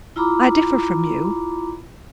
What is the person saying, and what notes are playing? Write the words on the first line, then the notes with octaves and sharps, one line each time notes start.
I differ from you.
E4 F4 A#5 B5 D6